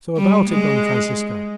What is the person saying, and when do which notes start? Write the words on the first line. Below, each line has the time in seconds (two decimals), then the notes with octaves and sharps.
So about it, Don Francisco.
0.17 G3
0.48 G#3